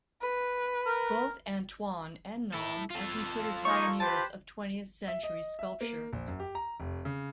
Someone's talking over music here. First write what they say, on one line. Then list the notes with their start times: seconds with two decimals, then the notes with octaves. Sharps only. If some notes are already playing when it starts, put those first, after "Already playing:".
Both Antoine and Naum are considered pioneers of twentieth-century sculpture.
0.22 B4
0.86 A#4
2.53 E4 A4
2.91 F4 A4
3.65 A#3 D#4 C#6
4.00 G4 B4 C5 A5
5.08 E5
5.23 D#5
5.59 E5
5.81 A#3
6.13 A#1
6.28 F#2
6.40 G4
6.55 A#5
6.80 F1
7.05 C#3